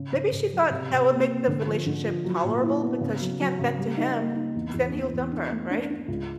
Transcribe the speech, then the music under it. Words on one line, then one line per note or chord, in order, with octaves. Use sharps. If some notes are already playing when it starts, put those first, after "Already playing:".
Maybe she thought that would make the relationship tolerable because she can't vent to him, 'cause then he'll dump her, right?
Already playing: C#3
C#3
C#3
F#3
C3
C3
A#3
A#3
D3
F3
D3
F3
F#3
A#2
E4
B3
C#3
F#3
F#3
C#3
G3
D#4
A#3
D#4
E2
E2
E2
E2
D4
A3
D4
D4
C#2